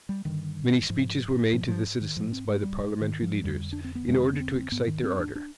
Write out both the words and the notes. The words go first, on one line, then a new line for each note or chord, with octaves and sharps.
Many speeches were made to the citizens by the parliamentary leaders, in order to excite their ardor.
G3
G2 D3 D#3
G#2 F3
G#2 F3
F3
D#3
G#2 F3
C4
G#3
G3
G#2
D#3
F3
F2 D3 G3
D4
C4
B3
F2 D3 G#3
C4
B3
C4
C4
G#2 B3
D#3
C4
D4
D4